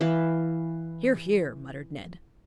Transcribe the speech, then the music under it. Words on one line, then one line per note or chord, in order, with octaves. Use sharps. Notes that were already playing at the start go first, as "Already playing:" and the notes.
"Hear, hear!" muttered Ned.
E3 F5